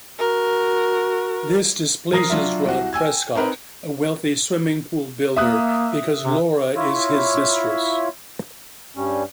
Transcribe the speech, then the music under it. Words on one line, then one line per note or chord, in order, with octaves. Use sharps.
This displeases Rod Prescott, a wealthy swimming-pool builder, because Laura is his mistress.
F#4 A#4
F3 A#4 D#6 A#6 C7
F#3 D4 F4 E5
C2 F#4
G5 G#5 E6 G#6
C4 D#4 A#4 B4
A#3 E5 D#6 F#6
C3
E4 F4 C#5 E5
G2 G3 C#4